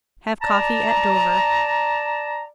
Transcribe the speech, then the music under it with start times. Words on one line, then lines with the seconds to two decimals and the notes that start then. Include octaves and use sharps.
Have coffee at Dover.
0.43 D5 A5 A#5